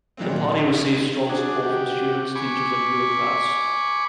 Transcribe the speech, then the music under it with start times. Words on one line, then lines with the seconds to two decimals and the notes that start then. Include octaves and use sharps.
The party received strong support from students, teachers and bureaucrats.
0.17 A#2 D#3 E3 F#3 A#3 C4
0.52 A1
1.29 D4 F#4 G#4
1.62 F#4 G4
2.35 G#5 B5 C#6 D6